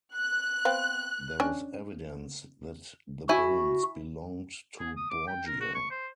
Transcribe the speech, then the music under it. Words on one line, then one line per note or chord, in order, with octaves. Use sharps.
There was evidence that the bones belonged to Borgia.
F#6
B3 C4 F5
C#4 D4
E4 F#4 G#5
G#4
D#6
D6
G5
A#4
F#4
C#6
C5